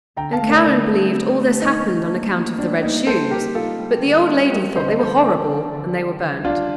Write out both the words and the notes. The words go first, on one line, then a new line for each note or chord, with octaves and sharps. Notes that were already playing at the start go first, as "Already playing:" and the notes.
And Karen believed all this happened on account of the red shoes, but the old lady thought they were horrible, and they were burnt.
D3 G5 A#5
F5 A5
A3
A#4 D5
D3 A#4 D5
C4
C4
A3
F3 D#4
A3
A#3
A#3
G3 D4
A#3 D#4
G3 A4 C5
D#4 G4 A#4
D#4 F4 A4
G3
D3
C4
C4 G4 A#4
D3 C5 D#5
C5 D#5
F3 A4 C5
F3 A#4 D5
D3
D3
G3
D#3
G2 D4 F4